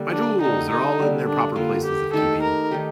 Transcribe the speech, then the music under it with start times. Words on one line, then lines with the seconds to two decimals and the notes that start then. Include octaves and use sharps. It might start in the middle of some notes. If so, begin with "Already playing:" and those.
My jewels are all in their proper places of keeping.
Already playing: D3 G3 A#3
0.12 D4
0.40 D3 G3 A#3 D#4
0.70 D#4
0.99 D3 G3 A#3
1.27 D4
1.56 D3 G3 A#3 F4
1.85 G4
2.13 D#3 A3 D#4 G4 A4
2.42 A#4
2.71 D#3 A3 D#4 G4